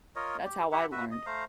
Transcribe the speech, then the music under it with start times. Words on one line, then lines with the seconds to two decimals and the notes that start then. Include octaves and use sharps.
that's how I learned.
0.16 F4 A#4 C#5 D#5
0.45 G4
0.72 E4 G4 E5 F#5
0.92 F#4 B4 E5
1.11 D#5
1.26 A3 C5 F5 A#5